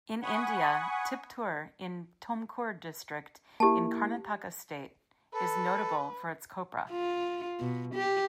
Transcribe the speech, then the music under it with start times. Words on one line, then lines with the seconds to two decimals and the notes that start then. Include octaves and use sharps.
In India, Tiptur in Tumkur district in Karnataka state is notable for its copra.
0.22 F#5 G#5 B5 C#6 D#6
3.60 A#3 E4 G4 A5
5.34 A4 B4
6.91 F4
7.60 B2
7.95 G4